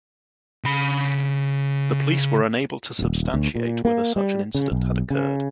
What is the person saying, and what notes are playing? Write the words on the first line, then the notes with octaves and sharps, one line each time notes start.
The police were unable to substantiate whether such an incident had occurred.
C#3 B5
D#1
D2
A#2
A#3
G3
C#3
B1
C#3